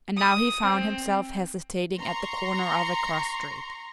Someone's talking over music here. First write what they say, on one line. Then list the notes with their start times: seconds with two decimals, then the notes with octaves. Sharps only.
And now he found himself hesitating at the corner of a cross street.
0.17 D#6
0.63 C4
1.98 A#5 C6 C#6